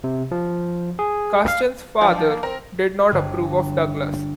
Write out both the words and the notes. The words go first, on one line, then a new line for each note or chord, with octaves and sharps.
Custance's father did not approve of Douglas.
C3
F3
G#4
F5
F3 D4
A#3
C4 A#4
G1 D4